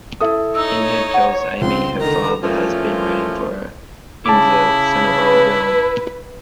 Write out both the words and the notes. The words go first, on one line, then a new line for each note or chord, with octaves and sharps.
Pinhead tells Amy her father has been waiting for her in the Cenobite realm.
E4 A4 D#6
D#4 C#5 E6
F#5
C#2 C4 C6
D3 D#3 A#5
E3 F3 A3 A#3 C#4 F4
C#3 E4 A5 D6
B4